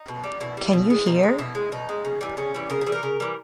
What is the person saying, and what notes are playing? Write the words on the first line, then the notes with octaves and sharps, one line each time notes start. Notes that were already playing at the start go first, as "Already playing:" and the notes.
Can you hear?
Already playing: D#4
B2
G3
B2 E4
G3
B2
G#3
B2 D#4
G#3
B2 E4
G#3
B2 D#4
G#3
C#3
E3 G3
C#3 C#4
E3 G3
C#3 A#4
G#4
E3 G3
A#4
C#3
E3 G3